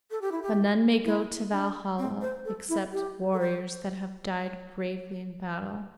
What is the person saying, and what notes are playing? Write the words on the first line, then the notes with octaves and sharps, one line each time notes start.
But none may go to Valhalla except warriors that have died bravely in battle.
A4
G4
E4
G4
E4
D4
C4
C5
A4
E4
G4
A4
C5